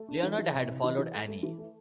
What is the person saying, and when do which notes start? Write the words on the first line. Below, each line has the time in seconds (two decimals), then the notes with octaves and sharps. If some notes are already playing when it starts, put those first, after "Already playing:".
Leonard had followed Annie.
Already playing: A3
0.09 D4
0.23 E3
0.38 E3
0.54 C3
0.68 C3
0.84 E3
0.98 E3
1.14 A3
1.28 A3
1.43 E3
1.58 A3